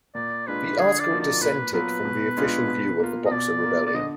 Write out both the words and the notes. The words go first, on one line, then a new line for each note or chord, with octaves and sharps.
The article dissented from the official view of the Boxer Rebellion.
A#2 D5
G#3 D4 F4 B4
D3 G#4
D5
F3 A#3 D#4 F#4
D5
A#2 B4
F#3 B3 F4 B4
B2
G#3 B3 D4 F4
B2
A#3 F4
D#5
B2 D5
A#3 F4
D5
D3 D#5